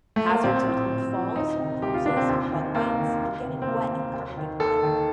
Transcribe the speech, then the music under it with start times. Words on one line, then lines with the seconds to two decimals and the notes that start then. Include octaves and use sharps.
Hazards include falls, bruises, bug bites and getting wet and covered in mud.
0.16 A3
0.29 A#3
0.43 A#1 C4
0.66 A2 F3
0.89 A#1
1.12 A2
1.17 F3
1.36 D2 D#4
1.59 C3 D#3
1.82 D2 G4
1.94 F4
2.06 C3 D#3 D4
2.17 C4
2.29 D#2
2.52 D#3
2.75 D#2 A#3
2.98 D#3
3.21 D2
3.45 C3 D#3
3.62 C4
3.67 D2 A#3
3.90 C3 D#3
4.13 D#2
4.37 D#3
4.60 D#2 A4
4.83 D#3